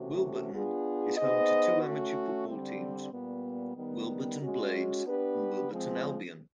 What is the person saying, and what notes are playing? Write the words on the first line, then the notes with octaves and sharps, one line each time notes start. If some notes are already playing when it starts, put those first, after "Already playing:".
Wilburton is home to two amateur football teams, Wilburton Blades and Wilburton Albion.
Already playing: C3 E3 A3 C#4 F#4
B3 D4 F4 G#4
B3 D#4 G#4 C5 D#5
A3 C#4 F#4
D3 G3 C4
A#2 G3 B3
D#3 G3 B3
G#3 C#4 F#4
B3 D4 G4 B4
F3 G#3 C4